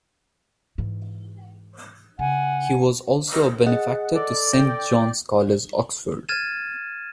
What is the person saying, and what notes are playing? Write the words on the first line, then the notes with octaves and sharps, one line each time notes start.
He was also a benefactor to Saint John's College, Oxford.
G#2 E3
C#3 F#5 G#5
G#4 D#5 F#5
A4 D5
G5 A#6
F6 G#6 A6 D#7 E7